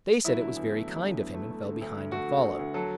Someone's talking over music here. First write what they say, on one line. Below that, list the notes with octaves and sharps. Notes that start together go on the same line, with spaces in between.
They said it was very kind of him, and fell behind, and followed.
F#3 E4
D3
E2
A3
F#3
D3
E2
A3
A3
D3
D2
D2
A3 F#4
D3
D2
D2
F#3 A4